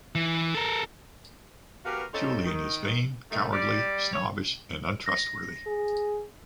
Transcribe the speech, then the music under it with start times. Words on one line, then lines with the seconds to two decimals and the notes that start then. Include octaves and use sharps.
Julian is vain, cowardly, snobbish, and untrustworthy.
0.15 E3
0.55 A4 A#4
1.85 B2 F#4 G4 A#4 B4 F5
2.13 C4 C#4 D#4 F4 A4
2.45 D#3
3.31 D#3 A3
3.52 G3 D5
4.13 C#5
5.06 A#6
5.67 G#4